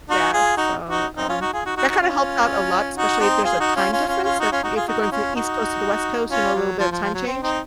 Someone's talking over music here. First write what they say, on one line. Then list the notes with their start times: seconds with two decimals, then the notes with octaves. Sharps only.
Yeah, so, um, that kinda helps out a lot, especially if there's a time difference, like if you're going from the East Coast to the West Coast, you know, a little bit of time change.
0.09 D#4 F#4
0.33 F4 G#4
0.57 D#4 F#4
0.89 D#4 F#4
1.17 C4 D#4
1.29 C#4 F4
1.41 D#4 F#4
1.53 F4 G#4
1.65 D#4 F#4
1.77 D#4 F#4
1.89 D#4 F#4
2.01 C#4 F4
2.96 D#4 F#4
3.20 C4 D#4
3.44 F4 G#4
3.60 D#4 F#4
3.76 C#4 F4
3.92 C#4 F4
4.08 C#4 F4
4.24 C#4 F4
4.40 D#4 F#4
4.52 C#4 F4
4.63 D#4 F#4
4.76 F4 G#4
4.88 D#4 F#4
5.01 D#4
5.11 C#4 F4
5.35 D#4 F#4
6.31 C#4 F4
6.55 F#3
6.79 F3
6.91 F3
7.03 F3
7.14 F#3
7.27 C4
7.43 C4 D#4